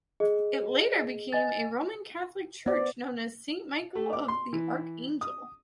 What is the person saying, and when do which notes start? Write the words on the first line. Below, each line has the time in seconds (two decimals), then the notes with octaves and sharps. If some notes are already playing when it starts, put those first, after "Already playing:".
It later became a Roman Catholic church known as "Saint Michael of the Archangel".
0.20 G#4 D#5
1.33 D#5 G#5 A6
2.66 B3 C5 D5
3.95 A3
4.13 D6
4.28 C6
4.53 E3
5.21 D#6